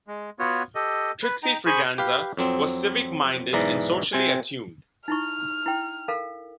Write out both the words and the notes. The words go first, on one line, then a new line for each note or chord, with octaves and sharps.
Trixie Friganza was civic minded and socially attuned.
G#3
B3 F4 F#4 C#5
G4 A4 D#5
B4
D#4 G5 A#5
G#4 C5 G#5 B5 C#6
G4 B4 F5
F2 F#3 C4
B1 G#2 E3 D5 A#5
C3 C4 G#5
D#4 E4 C#6 F6
E4 G5
A4 A#4 F5